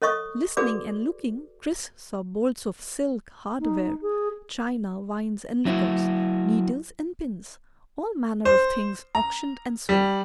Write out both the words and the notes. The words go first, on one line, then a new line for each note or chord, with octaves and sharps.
Listening and looking, Chris saw bolts of silk, hardware, china, wines and liquors, needles and pins--all manner of things auctioned and sold.
A4 C#5 D#5 C#6 D#6
F#4 G#4 A4 B4 D5 D6
D#4
G#4
F#3 E4 F#4
C5
A#5
G3